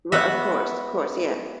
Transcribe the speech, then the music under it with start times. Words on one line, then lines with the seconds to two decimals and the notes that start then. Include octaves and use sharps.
Ri of course, of course, yeah.
0.12 B3 F#4 E5